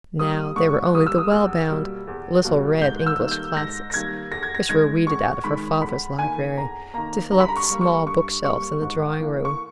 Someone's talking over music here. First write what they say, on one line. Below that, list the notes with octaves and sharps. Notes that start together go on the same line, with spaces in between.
Now there were only the well-bound little-read English Classics, which were weeded out of her father's library to fill up the small book-shelves in the drawing-room.
G3 A#3 D#6
G#2 C#6
G3 A#3 D#6
E6
D#6
E2 E6
B2 G3 A#3
E2
B2 G3 A#3
G#2 G6
E6
D#3 G3 A#3
G6
G#2 A#6
A#6
D#3 G3 A#3 G#6
E2 A#6
G#6
A#6
D#3 G#3 G#6
E2 C#6
D#3 G#3 B5
E2 B5
D#3 A#3 G#5
E2 A#5
D#3 A#3 A#5
G2 A#5
B5
A#5
C#6
G3 A#3
C#6
G2 C#6
G3 A#3 C#6
G#2
E3 A#3
C#6